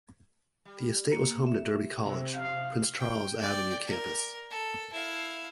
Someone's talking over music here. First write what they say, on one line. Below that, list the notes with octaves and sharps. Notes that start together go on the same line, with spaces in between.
The estate was home to Derby College, Prince Charles Avenue Campus.
G3
A#3
E5
C3 F#3 G#3
F2 G#2 F3 F5
G5
D5 G5
A#4
A4
E4 F5